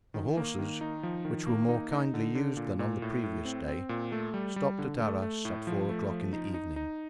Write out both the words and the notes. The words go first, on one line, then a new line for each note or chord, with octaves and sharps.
The horses, which were more kindly used than on the previous day, stopped at Arras at four o'clock in the evening.
D#3
A#3
D#3
D#4
F3
D#3
A#3
D#4
D#4
D3
D3
A#2
A#2
A2
A2
C4
C4
A#2
A3
G3
G3
D3
A3
A3
A2
F3
A3
F3
D#4
D#4
D#4